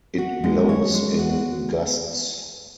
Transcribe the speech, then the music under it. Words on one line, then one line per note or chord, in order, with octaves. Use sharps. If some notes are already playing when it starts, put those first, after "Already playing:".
It blows in gusts.
F#4
G#3
C#5
G#3
F#4